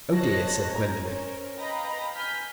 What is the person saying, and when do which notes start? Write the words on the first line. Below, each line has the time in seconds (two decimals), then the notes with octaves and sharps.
"Oh dear!" said Gwendolen.
0.12 C5 C#5 D#5 A5 F#6 A#6
0.69 C#4 A#5 G#6
1.05 C#4 A#4 C5 C#5
1.57 B4 D#5 F5 G5 A#5 B5
2.14 G#5 F6 G6 B6